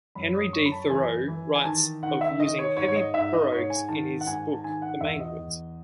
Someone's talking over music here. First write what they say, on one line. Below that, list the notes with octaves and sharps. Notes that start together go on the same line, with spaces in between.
Henry D. Thoreau writes of using heavy pirogues in his book "The Maine Woods".
F#2 B5
D#6
F#2 C#6
B5
A5
E3 G#5
E3
G#5
D#3 A5
D#3 F#5
E5
D#3 D#5
C#5
G#2 C#5
C#5
D#5
G#2 E5
D#5
G#2 C#5
G#5
D#3 A5
F#5
G#2 G#5
A5
D#3 G#5
F#5
E2 E5
D#5
E2